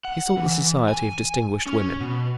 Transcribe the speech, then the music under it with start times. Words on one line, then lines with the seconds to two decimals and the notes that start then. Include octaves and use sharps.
He sought the society of distinguished women.
0.05 F#5
0.37 E3
0.88 G#5
1.66 C#4
2.00 B2